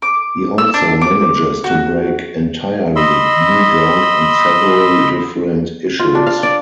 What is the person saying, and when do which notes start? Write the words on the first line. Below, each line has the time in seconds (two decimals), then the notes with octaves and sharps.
He also manages to break entirely new ground on several different issues.
0.02 D6
0.58 E6
0.74 D4
1.01 D6
1.64 F#4
2.96 D#5 B5 C6 E6
5.99 F4
6.15 D4
6.27 F5
6.43 D5